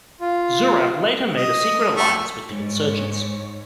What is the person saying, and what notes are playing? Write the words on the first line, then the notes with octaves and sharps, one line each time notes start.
Zurab later made a secret alliance with the insurgents.
F4
D#5
A3
G#2 C#5